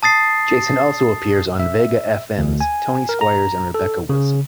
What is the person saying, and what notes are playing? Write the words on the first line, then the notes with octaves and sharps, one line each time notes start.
Jason also appears on vega fm's "Tony Squires and Rebecca Wilson".
A5 D#6 A6 C7
E5
D2
G#5
A#4
A#5
A4
C#3